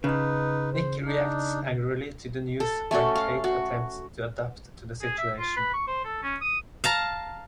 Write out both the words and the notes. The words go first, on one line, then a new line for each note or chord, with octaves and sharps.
Nick reacts angrily to the news, while Kate attempts to adapt to the situation.
C#3 D#4 B4
C5
D4 D#4
A4
A3 C#4 F#4 A4
F5
F#4
G#4
E5
F4
B4
C#6
C5
A4
C#4
D#6
F5 A5 A#5